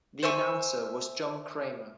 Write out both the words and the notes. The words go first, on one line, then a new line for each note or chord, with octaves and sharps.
The announcer was John Cramer.
C5 E5 G#5 C#6